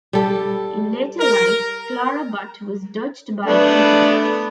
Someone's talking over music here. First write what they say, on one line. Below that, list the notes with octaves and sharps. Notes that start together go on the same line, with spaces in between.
In later life, Clara Butt was dogged by tragedies.
G3 A4
A#4
A3 B3 D4